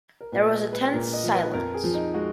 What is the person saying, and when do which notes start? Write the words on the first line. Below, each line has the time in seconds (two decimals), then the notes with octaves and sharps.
There was a tense silence.
0.21 A#4
0.32 A#2 B4
0.53 D#5
0.63 G#3
0.73 B4
0.93 A#2 A#4
1.13 D#5
1.24 F3
1.34 B4
1.54 F2 A#4
1.74 G#4
1.84 F3
1.94 D#4
2.14 G#3 F#4